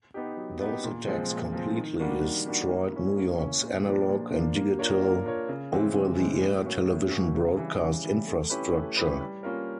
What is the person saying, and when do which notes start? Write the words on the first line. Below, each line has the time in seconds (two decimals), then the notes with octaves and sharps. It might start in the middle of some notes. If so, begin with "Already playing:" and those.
Those attacks completely destroyed New York's analog and digital over-the-air television broadcast infrastructure.
0.14 B3 D#4 G4
0.37 F#3
0.61 B3 D#4 G4
0.84 A#2
1.07 F3 G#3 C4
1.30 A#2
1.53 F3 G#3 C4
1.76 D#3
2.00 G3 A#3 D4 F#4
2.23 D#3
2.46 G3 A#3 D4 F#4
2.69 A#3
2.92 C#4 E4
3.16 A#3
3.39 C#4 E4
3.62 A#2
3.85 F3 A#3 D4
4.09 A#2
4.32 F3 A#3 D4
4.56 A#3
4.79 D4 F4 A#4 C#5
5.02 A#3
5.25 D4 F4 A#4 C#5
5.49 C#3
5.72 E3 G#3 C4
5.94 C#3
6.18 E3 G#3 C4
6.41 A2
6.64 F#3 A#3 C#4 F#4
6.88 A2
7.11 F#3 A#3 C#4 F#4
7.35 C#3
7.57 E3 G3
7.81 C#3
8.04 E3 G3
8.28 A3
8.50 C#4 E4 G4 B4
8.73 A3
8.97 C#4 E4 G4 B4
9.21 G3
9.43 A#3 C#4 F4 A#4